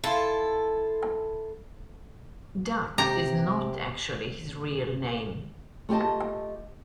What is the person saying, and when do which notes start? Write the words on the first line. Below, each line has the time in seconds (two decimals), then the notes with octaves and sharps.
Duck is not actually his real name.
0.04 E4 F4 A4 C6
2.98 C3 G4 A#5
5.89 A3 F4 G4 D#5 A5